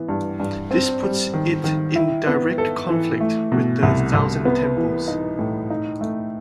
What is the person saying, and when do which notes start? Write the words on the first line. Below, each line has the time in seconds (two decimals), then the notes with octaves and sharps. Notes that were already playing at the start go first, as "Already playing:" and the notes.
This puts it in direct conflict with the Thousand Temples.
Already playing: E3 B3
0.09 G2
0.40 G2
0.71 C4
1.02 G3
1.34 D#3
1.64 D#3
1.96 E4
2.27 B3
2.58 A4
2.89 E3
3.21 A3
3.52 B2
3.83 C2
4.14 C2
4.45 B3
4.77 E3
5.08 D#4
5.39 A2
5.70 D#4
6.01 A3